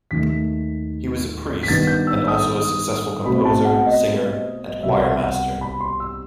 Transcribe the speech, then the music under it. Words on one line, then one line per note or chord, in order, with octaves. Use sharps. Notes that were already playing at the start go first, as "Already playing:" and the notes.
He was a priest and also a successful composer, singer and choir master.
D#2 D#3 A3 B6
B6
G2 D#3 G3 B3 A6
G6
E6
D#6
B2 A3 C4 B5
A5
F#5
D#5
C2 B2 G3 E5
F#5
E5
F#5
B5
C6
E6